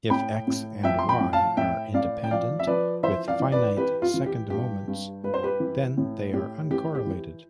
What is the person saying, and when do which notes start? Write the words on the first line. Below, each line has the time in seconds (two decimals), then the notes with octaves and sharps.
If "X" and "Y" are independent, with finite second moments, then they are uncorrelated.
0.10 A2 G5 B5
0.47 A2
0.83 F3 E5 G5
0.99 C6
1.09 G5 B5
1.21 A2
1.33 F5 A5
1.57 A2 E5 G5
1.94 A2 D5 F5
2.24 G5
2.31 F3 D5 F5
2.59 E5
2.67 F3 B4 D5
3.03 E3 C5 E5
3.28 D5 F5
3.40 E3
3.52 B4 D5
3.77 E3 G4 B4
4.02 F4
4.14 E3
4.26 G4
4.50 G2 G4
4.88 G2
5.24 G2 B4
5.34 C5
5.43 G4 B4
5.60 E3
5.98 A2
6.33 A2 G4
6.71 E3 G4
6.95 G4
7.07 E3